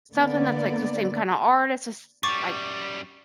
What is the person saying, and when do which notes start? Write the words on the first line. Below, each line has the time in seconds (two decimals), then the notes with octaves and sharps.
something that's, like, the same kind of artist, s s like,
0.14 D3 A#3 B3 D5
2.23 F#2 G3 C#6 D6 A6